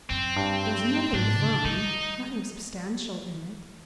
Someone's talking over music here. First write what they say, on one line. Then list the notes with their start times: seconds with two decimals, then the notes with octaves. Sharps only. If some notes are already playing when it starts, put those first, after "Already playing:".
There was nothing firm, nothing substantial in it.
0.10 F#2 C4
0.36 G2
1.13 G#2 D4
1.39 D3
1.64 G3 D#4